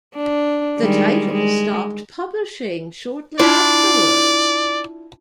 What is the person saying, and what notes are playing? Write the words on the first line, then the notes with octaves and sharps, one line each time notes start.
The title stopped publishing shortly afterwards.
D4
D#3 G3 G#3
G#3
D4 E4 F4 D5